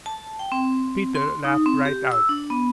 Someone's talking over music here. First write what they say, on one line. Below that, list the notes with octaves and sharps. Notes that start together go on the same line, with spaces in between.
Peter laughed right out.
A5
G5
C4
C6
D#4
C4
G4
E6
D4
B3